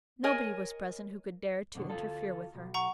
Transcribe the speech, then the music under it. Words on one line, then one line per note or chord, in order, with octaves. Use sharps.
Nobody was present who could dare to interfere with her.
A#4 C#5 D#5 G#5
F2 B2 D3
D2 F4 A4
B1
F#5 A#5 C#6